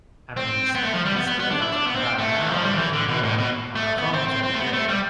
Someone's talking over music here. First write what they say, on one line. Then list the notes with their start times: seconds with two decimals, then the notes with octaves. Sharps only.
I mean, we s we spare, like, about an hour or more on our phones every day.
0.37 C4
0.75 B3
0.83 A3
0.93 F3
1.05 G3
1.16 B3
1.27 B3
1.39 B3
1.51 D4
1.62 E4
1.73 D4
1.87 B3
1.96 C4
2.18 A3
2.39 E3
2.51 F3
2.62 G3
2.71 D3
2.78 E3
2.93 D3
3.08 B2
3.23 A2
3.38 B2
3.75 A3
3.98 B3
4.13 C4
4.28 C4
4.43 C4
4.54 A3
4.58 B3
4.73 A3
4.88 G3